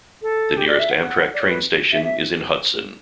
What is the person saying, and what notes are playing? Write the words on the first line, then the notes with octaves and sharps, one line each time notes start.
The nearest Amtrak train station is in Hudson.
A4
G4
D5
E5
F#5
D5
C#5
B4
E5
E5